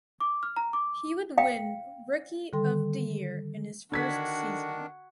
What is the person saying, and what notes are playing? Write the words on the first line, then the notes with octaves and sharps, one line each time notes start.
He would win Rookie of the Year in his first season.
D6
F6
A#5
D6
F5 G5
D3 D#3 G3 A4 G5 C6
D3 D#3 D4 F#4 G#6 B6